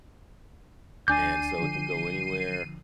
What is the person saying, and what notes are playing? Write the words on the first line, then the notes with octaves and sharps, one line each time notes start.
And so, it can go anywhere
D2 D4 G#5 D6 G6 A6 C7 D#7
D3 F3